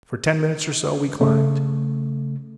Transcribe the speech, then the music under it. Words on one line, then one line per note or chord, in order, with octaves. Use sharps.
For ten minutes or so we climbed.
C#3 A3